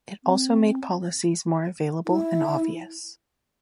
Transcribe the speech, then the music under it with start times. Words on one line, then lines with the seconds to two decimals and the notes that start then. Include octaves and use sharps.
It also made policies more available and obvious.
0.24 C4
2.06 E4